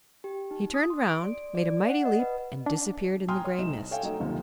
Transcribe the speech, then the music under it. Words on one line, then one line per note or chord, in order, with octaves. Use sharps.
He turned around, made a mighty leap and disappeared in the gray mist.
G4
D#4
D#6
C6
D7
D5
D5
F#5
D#5
B4
D4
G5 G#5 A#5 C6 D#6 F6
C#5
C2 D#4 E7
A4 C#5 E5 F5 G5 G#5
F#3 A3 D#4
F#1 D#2 C3 D#3 F3